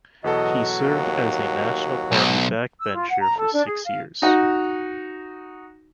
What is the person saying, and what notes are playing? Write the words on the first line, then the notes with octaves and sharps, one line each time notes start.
He served as a National Party backbencher for six years.
E2 B2 F#3 F#4 A4 D#5
D#2
B1
E6
F4
F#5
A#5
A4
D4
G#4
F5
D#4 F#4